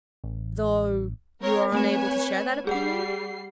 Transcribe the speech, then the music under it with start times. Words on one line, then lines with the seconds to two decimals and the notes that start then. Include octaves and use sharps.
"Though you are unable to share that opinion?"
0.24 A1
1.41 C4 A#4 C#5
1.72 A3 C4 B4 C#5 G#5 E7
2.67 G3 G#4 F#5 C7